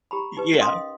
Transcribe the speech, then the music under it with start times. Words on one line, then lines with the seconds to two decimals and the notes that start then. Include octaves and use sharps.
Y yeah.
0.11 G4 A#5 B5
0.37 D#4 G4 B4
0.58 C#4 A#4 D#5 F5 C6 D#6